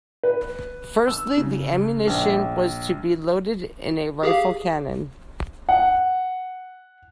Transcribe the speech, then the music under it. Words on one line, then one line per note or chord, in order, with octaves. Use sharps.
Firstly, the ammunition was to be loaded in a rifled cannon.
B4
E6
C#3
A#1
G4 G#4 F5
F#5